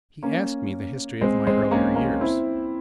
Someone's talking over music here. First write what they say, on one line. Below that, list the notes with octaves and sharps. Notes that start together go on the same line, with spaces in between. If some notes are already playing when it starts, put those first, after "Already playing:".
He asked me the history of my earlier years.
A#3 C#4
G#3 C4
G#3 C4
A#3 C#4
A#3 C#4
C4 E4